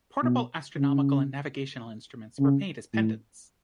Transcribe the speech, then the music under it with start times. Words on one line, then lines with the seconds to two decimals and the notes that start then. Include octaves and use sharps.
Portable astronomical and navigational instruments were made as pendants.
0.23 B2
0.77 C#3
2.40 C#3
2.94 A2